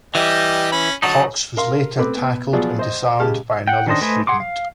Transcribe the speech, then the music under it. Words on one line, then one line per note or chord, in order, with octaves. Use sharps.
Cox was later tackled and disarmed by another student.
E3 G3 G4 D#5
C#4 B5
D3 F#3 D#4 A5
A#4 F5 C6
A3 C4 B4 B5 D6
B3
F3 F#3 B3 G#4 D5
C5 D#5
C#3 G#3 G4 A5 F6
F#5 G5
D#3 C#4 D4 C5 D#5
A3 B4 C5 D#5 G#5
G#4 F#5 C6 D6
F5